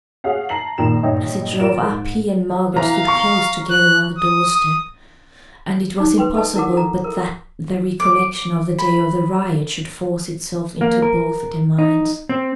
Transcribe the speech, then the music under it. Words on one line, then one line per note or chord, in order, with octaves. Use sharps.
As it drove up, he and Margaret stood close together on the door-step, and it was impossible but that the recollection of the day of the riot should force itself into both their minds.
F#4 G#4 C#5 F5 F#5
A5 A#5 C7 F#7
A#1 A#2 D#3 A#5 E7
A#1 G2 D#4 C#5 D#5 G5
F4 A#4 D5 D7 E7
G#2
E3 F5 A#5
A#5 C#6
F#6
D#6
D#6
D#4 D6
B4 G5 C6
A4 B4 D#5 A5
E4 A#4 F#5 D6
A4 A#5
A4 A#4
D6
B5
A#3
A#4
D#4
C4